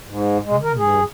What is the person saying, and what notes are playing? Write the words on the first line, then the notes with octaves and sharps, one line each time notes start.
Oh, man.
G#2
G#3
A#4
G#4